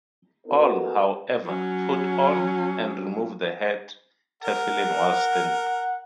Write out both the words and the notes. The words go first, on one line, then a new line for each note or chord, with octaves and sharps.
All, however, put on and remove the head tefillin while standing.
A#3 B3 D#4 F#4 A4 B4
F#3 C#4
A#4 F#5